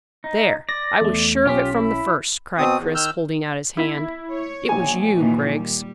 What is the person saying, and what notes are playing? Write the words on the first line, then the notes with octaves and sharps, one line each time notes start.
"There, I was sure of it from the first," cried Chris, holding out his hand; "it was you, Griggs."
D#4
D5 A#6
E2 A3
B1 C#4 F4 G4 B6
E4
B2 C4 D#6
E2
D#3 E6 F6 G6
E4 B6
C#5
A#1 G#5
A#2 D#3 E3
G3